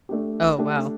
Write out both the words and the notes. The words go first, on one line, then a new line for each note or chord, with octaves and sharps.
Oh, wow.
A3 D4 G4
A3 D4 G4